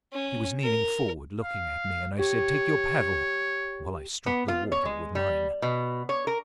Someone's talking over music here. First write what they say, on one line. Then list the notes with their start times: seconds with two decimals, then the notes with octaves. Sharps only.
She was kneeling forward looking at me, and I said, 'Take your paddle,' while I struck the water with mine.
0.13 C#4
0.63 A#4
1.43 F5
2.19 G4 C#5
4.26 B3
4.48 F4
4.72 C#5
4.85 G#3
5.15 G3
5.62 B2
6.09 C#5
6.27 A#4